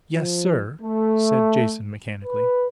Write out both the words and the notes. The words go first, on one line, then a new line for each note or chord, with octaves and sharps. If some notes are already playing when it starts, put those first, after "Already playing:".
"Yes, sir," said Jason mechanically.
F3
A3
B4